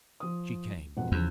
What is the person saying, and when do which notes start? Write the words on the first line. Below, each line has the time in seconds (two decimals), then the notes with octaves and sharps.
She came.
0.20 F3 D#6
0.97 E1 F2 F#5
1.12 E2 C#3 F3